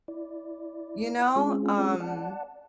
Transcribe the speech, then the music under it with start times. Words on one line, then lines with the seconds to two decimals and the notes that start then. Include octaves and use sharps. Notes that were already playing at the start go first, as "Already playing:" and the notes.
you know? Um,
0.08 E4 D5
1.36 G#3 C4 C#4 F4 G#4
2.00 D5 F#5 A5